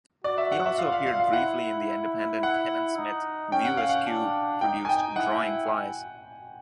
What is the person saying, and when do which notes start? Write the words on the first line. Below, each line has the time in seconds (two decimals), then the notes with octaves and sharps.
He also appeared briefly in the independent Kevin Smith View-Askew produced Drawing Flies.
0.24 F#4 D5
0.38 E5
0.52 F#5
0.66 E5
0.78 F4 F5
0.92 F5
1.07 F5
1.20 F5
1.33 E4 F#5
2.43 F#5
2.97 D#4
3.52 C#4 G5
3.64 F#5
3.77 F5
3.89 F#5
4.07 D4
4.61 D#4 G5
4.85 G#5
4.89 G5
5.16 E4 F#5